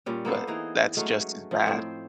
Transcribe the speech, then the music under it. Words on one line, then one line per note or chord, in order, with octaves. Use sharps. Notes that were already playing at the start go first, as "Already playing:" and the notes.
but that's just as bad.
A#2 G3 C#4
A#3 B3 A4 C5
E3 D#4 G#4 D#5
F#3 G#3 A3 C#4
F3 D#4
A2 C4 C5